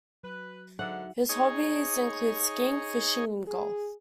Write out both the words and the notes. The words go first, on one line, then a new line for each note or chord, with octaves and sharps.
His hobbies include skiing, fishing and golf.
F#3 B4
G#2 D3 F#3 D#4 E5 F#5
D#4 G#4 C#5
G#4